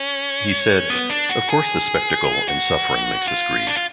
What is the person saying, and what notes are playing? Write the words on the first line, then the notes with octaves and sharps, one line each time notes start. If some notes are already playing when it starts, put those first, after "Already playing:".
He said: Of course the spectacle and suffering makes us grieve.
Already playing: C#4
B3
D4
F#4
G#4
F#4
F4
D4
F4